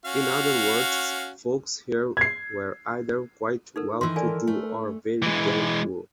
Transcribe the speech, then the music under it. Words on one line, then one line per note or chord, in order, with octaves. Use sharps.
In other words, folks here were either quite well-to-do or very damn poor.
C#4 F#4 F5
G#6 C7
D#4 A4 A#4
D#3 E3 C6 E6
A4 A#4 D5 G#5
A3
E3 G#3